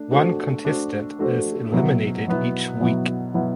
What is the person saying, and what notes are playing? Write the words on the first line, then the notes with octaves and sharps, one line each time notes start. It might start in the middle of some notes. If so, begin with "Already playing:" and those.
One contestant is eliminated each week.
Already playing: A3 D4
A3 D4 F#4 A4 C5
A3 D4 F#4 A4 C5
A3 D4 F#4 A4 C5
B2 F#3 B3 E4
B2 F#3 B3 E4
B2 F#3 B3 E4
B2 F#3 B3 E4